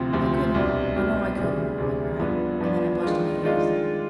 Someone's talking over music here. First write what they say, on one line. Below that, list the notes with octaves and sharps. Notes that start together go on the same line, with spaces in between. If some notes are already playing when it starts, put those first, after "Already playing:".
"I couldn't--you know I couldn't," I cried--and then I blushed to my ears.
Already playing: D2 C3 F3 C4 G4
D2 C3 F3 C4 G4
C2 B2 G3 D4 G4
C2 B2 G3 D4 G4
D2 C3 G3 D4 G#4
D2 C3 G3 D4 G#4
G2 F3 B3 D4
G2 F3 B3 D4
D#3 G#3 D4 F4
D#3 G#3 D4 F4